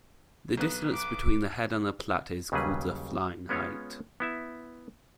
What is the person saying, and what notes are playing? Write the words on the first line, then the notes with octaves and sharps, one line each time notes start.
The distance between the head and platter is called the flying height.
B1 B3 F#6
D6
D#2 C#3 F#3 G3 G#4 B4
G#3 B3 C#4 F4 C#5
B3 E4 E5